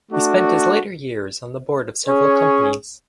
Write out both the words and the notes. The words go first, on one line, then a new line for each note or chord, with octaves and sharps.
He spent his later years on the board of several companies.
A3 D4 F#4
C#4 G#4 C#5